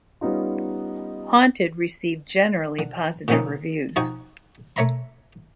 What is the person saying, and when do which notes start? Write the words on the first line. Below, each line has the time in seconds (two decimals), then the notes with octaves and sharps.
"Haunted" received generally positive reviews.
0.21 G3 B3 C#4 D#4 F4
2.79 D3
3.28 A#2 D3 F3 C4 C#4 D#4
3.96 F3 D#4 F#4 G5 G#5 C#6
4.76 A3 C#5 E5 A#5 C6